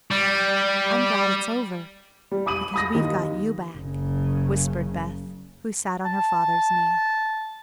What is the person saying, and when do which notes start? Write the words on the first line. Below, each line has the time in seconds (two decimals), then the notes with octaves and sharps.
"I'm glad it's over, because we've got you back," whispered Beth, who sat on her father's knee.
0.11 G3
2.31 G3
2.46 B5 D6 D#6 D#7 F#7
2.74 B5 D#6 A#6
2.94 D#2 D#4
3.77 F#1 C#3
6.05 A5